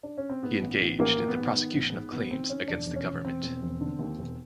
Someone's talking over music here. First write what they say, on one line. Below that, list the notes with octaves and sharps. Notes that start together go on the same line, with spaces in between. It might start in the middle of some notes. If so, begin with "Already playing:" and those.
He engaged in the prosecution of claims against the Government.
D4
C#4
C4
G#2 B3
A1
A1
A1 A#3
A1
B3
G#2
D#3
A1
G#2
A1 B3
D#3 C4
D#3 C#4
E1 D4
E1
C#4
E1
E1 C4
E1
E1
D3
D#2
E1